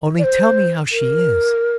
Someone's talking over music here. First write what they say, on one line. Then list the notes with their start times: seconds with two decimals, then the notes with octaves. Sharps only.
Only tell me how she is.
0.18 D5
0.23 C5
0.92 A#4